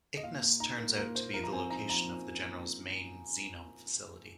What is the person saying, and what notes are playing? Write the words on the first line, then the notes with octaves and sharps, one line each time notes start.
Icnus turns out to be the location of the General's main Xenome facility.
D#5
A#2 F5
A#3
D#4 A#5
A#2 A#4
A#2 A#4
A#3 C5
F3 A#4
A#5
C4 G#5
D#4 A#5
F3 A#5
F3